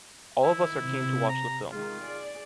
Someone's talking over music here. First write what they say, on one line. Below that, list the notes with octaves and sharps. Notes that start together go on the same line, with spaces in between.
All of us are keen to watch the film.
D#3 E4
C3
A#5
D#3 G#3 F4
G#4 D5